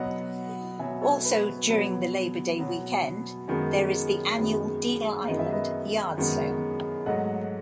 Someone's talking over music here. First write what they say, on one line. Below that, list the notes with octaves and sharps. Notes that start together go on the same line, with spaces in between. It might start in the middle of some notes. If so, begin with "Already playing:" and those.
Also, during the Labor Day weekend, there is the annual Deal Island yard sale.
Already playing: B2 F#3 B3 D#5 F#5
B2 F#3 B3 E5 G#5
A4 C#5
B4
B4
B2 F#3 B3 B4
B2 F#3 B3
F#2 D#3 G#3 B3
F#2 D#3 G#3 B3
F#2 D#3 G#3 B3 D#5
E5
B4 D#5
F#2 D#3 G#3 B3
G#2 F#3 A3 D#5 F#5